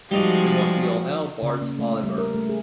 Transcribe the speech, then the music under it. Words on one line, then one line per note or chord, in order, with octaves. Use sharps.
It was Lionel Bart's Oliver!
F3 G3 G#3 D#4 F#4 D5
C#3
A#3
A3
G3
A#4
A3
G#4